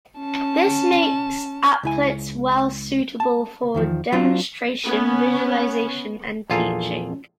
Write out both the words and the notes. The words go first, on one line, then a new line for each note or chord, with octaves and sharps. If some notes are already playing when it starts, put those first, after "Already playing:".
This makes applets well suitable for demonstration, visualization, and teaching.
C#4 A5
C#2 E4 G#5
A5
E2 D#3 F3
F#3 C4 D4 F4
B3 C#4
A#1 E2 F4 G#4 A4 A#5